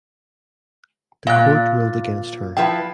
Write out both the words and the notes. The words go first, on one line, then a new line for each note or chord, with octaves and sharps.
The court ruled against her.
A#2 F5 F#6
F3 E4 B4 G5